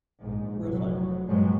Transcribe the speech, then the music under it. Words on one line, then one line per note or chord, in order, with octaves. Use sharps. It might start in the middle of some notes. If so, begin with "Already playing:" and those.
Real fun.
A#1 G#2
F1 F#3
G2 A#2 F3 F#3 G#3